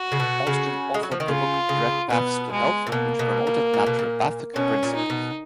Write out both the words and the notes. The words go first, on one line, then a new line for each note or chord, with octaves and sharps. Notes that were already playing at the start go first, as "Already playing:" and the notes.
Austin authored the book "Direct Paths to Health" which promoted naturopathic principles.
Already playing: F#4
C#3
B2
C#3
G#3
F#3
F3
D#3
C#3 F4
C#3
B2 B3
G#3
A#2
B2 A#3
B2
B2
A#2
B2
A#2
B2 C#4
A#2
D#4
B2